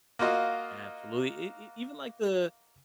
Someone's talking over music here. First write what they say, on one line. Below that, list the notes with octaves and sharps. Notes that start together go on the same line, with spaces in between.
Absolutely, e e even like the
A#3 F4 F#4 D#5